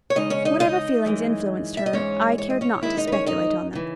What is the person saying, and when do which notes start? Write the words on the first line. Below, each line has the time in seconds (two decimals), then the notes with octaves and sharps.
Whatever feelings influenced her, I cared not to speculate on them.
0.10 C#5
0.15 E2 C#3 G#3 D#4 D#5
0.30 C#4 C#5
0.45 D#4 D#5
0.60 D#4 D#5
1.05 F#2 E3 G#3
1.77 E5
1.86 D#5
1.93 G#2 E3 G#3 C#4 C#5
2.38 C#5
2.50 D#5
2.61 C#4 C#5
2.82 D#2 D#3 G#3 E4 E5
2.97 D#4 D#5
3.07 B4
3.12 C#4 C#5
3.27 D#4 D#5
3.73 C#3 E3